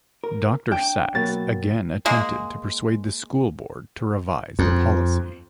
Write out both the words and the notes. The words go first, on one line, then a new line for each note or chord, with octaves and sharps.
Doctor Saxe again attempted to persuade the School Board to revise the policy.
A#4
D4 G5
B2 F#3 A#3 A6
G#3 A#3
F2